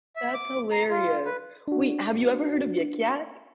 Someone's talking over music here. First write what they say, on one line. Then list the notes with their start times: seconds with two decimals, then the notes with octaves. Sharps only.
That's hilarious. Wait, have you ever heard of Yik Yak?
0.16 E5
0.34 D6
0.71 A#5
0.90 F4
1.25 B4
1.68 D4 F#4